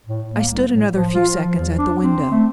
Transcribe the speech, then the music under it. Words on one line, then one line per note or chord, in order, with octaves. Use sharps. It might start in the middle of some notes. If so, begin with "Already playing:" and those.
I stood another few seconds at the window.
A2
A#3
C2
A2
F3
F4
F3
E2
D4
C4
A3